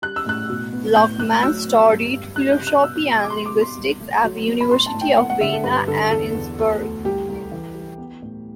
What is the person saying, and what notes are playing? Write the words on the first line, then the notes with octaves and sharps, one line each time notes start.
Luckmann studied philosophy and linguistics at the University of Vienna and Innsbruck.
G3 F#6
E6
A2 F#6
B2
B3
A2 G6
A2 F#6
F#3 E6
B3
G2
G2
G3 F#6
G6
C3
F#6
B2 E6
B2
D6
G3 C6
D6
B2
C6
C2
A3
F#3
B3
B5
A2 C6
A5
A2
G5
B3 F#5
F#5
D3 E5
A4
G2 B4
D3 A4
E2 A4
E2
D2
D2
C2 G4
C2
E3
G3
B3
A2